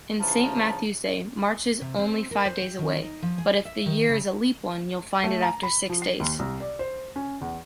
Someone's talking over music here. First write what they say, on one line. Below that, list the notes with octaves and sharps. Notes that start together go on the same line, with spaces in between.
In Saint Matthew’s Day, March is only five days away, but if the year is a leap one, you’ll find it after six days.
C#3 E3 F3 D4 A5 A#5
C3
C4
A#4
C5
G4
D#3
D#4
F3
G#4
E5
D#3
C#3
A3
A#5
B5
F3
C7
D#2
C2
D5
C5
C#4
E2